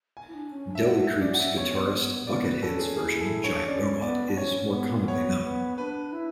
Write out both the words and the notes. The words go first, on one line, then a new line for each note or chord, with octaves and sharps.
Deli Creeps guitarist Buckethead's version "Giant Robot" is more commonly known.
G#5
E4
D4
C#4
D4
E5
D4 F#5
E5
C#4 D5
F#5
E5
B3 C#5
B3
B3 D5
B4
C#4 A4
G#4
E4 G#4
E4 A4
D4 C#5
C#4 D5
B3 D5
D4
C#4 C#5
B3
B3 C#5
B3
D4 B4
E4